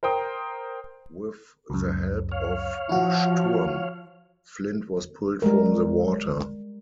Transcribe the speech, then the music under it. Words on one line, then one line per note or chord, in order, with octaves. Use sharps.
With the help of Sturm, Flint was pulled from the water.
A#4 C5 G5 D#6
C#2 F#2
C#5 F5
F3 E4 F#4
G3 G#3 A#4